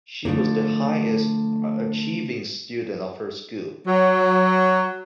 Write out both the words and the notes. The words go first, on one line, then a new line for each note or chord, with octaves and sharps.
She was the highest achieving student of her school.
D3 F3 A3 A#3
F#3